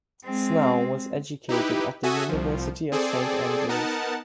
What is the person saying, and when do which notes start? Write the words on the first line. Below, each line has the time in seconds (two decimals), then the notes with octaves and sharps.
Snell was educated at the University of St Andrews.
0.24 G#3 C4
1.49 D#4 E4 G4 B4
2.03 F#4 A4 E5 G#5 D#6
2.29 C2 F3
2.92 C4 G#4 A4 D5
3.69 B3 D#4 A#4 F#5 A5